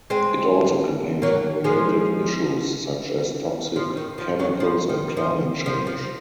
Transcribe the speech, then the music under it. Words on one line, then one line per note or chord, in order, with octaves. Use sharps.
It also campaigns on related issues such as toxic chemicals and climate change.
G#3 C4
F#3 A#3
F3 G#3
F3
D#3
F3
D#3 F#3
F3
D#3
F3
F3
F3